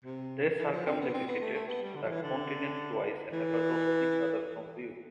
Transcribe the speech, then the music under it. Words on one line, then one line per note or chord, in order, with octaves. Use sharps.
They circumnavigated the continent twice and never lost each other from view.
C3
E3
F3
C4
B3
C4
B3
A3
A3
B3
G3
D3
F3
E3
D3
E3